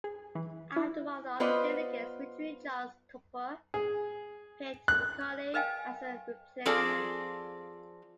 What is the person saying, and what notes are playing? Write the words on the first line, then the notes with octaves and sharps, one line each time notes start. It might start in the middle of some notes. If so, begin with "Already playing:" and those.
After one of the other delegates withdrew Charles Tupper picked McCully as a replacement.
G#4
E3
E4
B3 F4 B4 C5 D5 D#5
G#4
F#6
A#4 B4 D#5 F5 G5 G#5
F3 C4 F4 G#4 A4 D5